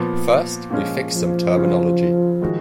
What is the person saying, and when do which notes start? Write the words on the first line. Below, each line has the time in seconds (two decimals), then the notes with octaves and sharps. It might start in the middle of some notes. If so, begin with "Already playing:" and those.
First, we fix some terminology.
Already playing: A#2 F3 B3
0.71 A#2 F3 G#3 C#4
1.14 F3
1.56 C#3 F#3 C#4 F4
2.42 D#3 G#3 D#4 F#4